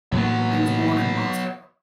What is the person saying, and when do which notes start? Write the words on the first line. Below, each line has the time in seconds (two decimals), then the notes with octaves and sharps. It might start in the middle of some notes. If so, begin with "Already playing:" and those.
He was born in Moscow.
0.12 A2 E3 F#3 A#3 B3